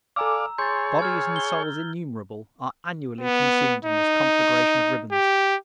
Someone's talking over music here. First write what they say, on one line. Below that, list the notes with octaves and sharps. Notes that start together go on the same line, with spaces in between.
Bodies and souls innumerable are annually consumed in this conflagration of ribbons.
A4 D5 F5 G#5 A#5 D6 E6
G#4 C#5 C6 G6 A6
F6 G#6
G7
B3
D#4
G4